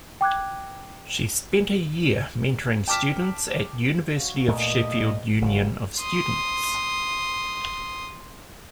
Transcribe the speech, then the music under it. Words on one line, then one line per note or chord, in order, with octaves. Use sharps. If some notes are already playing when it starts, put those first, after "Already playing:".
She spent a year mentoring students at University of Sheffield Union of Students.
G5 D6 F#6 G#6
G5 A5 D6 F6 B6 E7
F#4 C#5 F5
G2 A#2 E3 A3 D#5
F#1 G3 C#4
C6 D#6